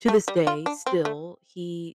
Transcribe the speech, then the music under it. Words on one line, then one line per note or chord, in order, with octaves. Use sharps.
to this day, still, he
A3
G3
F4
D4
C4
A3